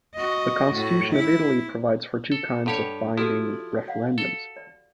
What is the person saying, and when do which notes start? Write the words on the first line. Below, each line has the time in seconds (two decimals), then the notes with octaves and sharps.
The constitution of Italy provides for two kinds of binding referendums.
0.15 F#4 D#5
0.74 A2 F#4
1.11 E4
2.32 A4
2.66 G2 G4 A4 C#5 F#5
3.17 F3 E4 F#4 G4 A4
3.88 D5 F5 F#5
4.18 A4
4.56 D5